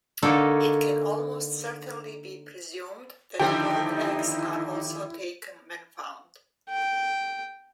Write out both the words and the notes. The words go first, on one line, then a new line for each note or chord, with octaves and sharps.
It can almost certainly be presumed that bird eggs are also taken when found.
D3 A#3 D#4 A4 C#5 D5
D#2 D3 F3 D#4 E4 G4
G5